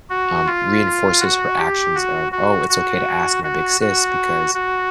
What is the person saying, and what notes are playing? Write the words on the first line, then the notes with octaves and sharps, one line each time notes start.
um, reinforces her actions of, "Oh, it's okay to ask my big sis because,
F#4
F4
F#4
G4
F#4
F#4
F#4
F#4
F#4
F#4